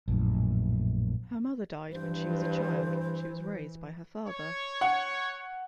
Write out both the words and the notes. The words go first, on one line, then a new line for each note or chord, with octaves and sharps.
Her mother died when she was a child; she was raised by her father.
A#1 F#2 A2
G2 E3 C5
C#5
F#5